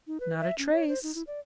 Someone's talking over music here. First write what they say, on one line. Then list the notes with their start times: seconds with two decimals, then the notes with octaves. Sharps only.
"Not a trace."
0.07 D#4
0.20 B4
0.40 E5
0.58 C#4
0.72 C#5
0.88 C5
1.03 D#4
1.15 E4
1.27 D5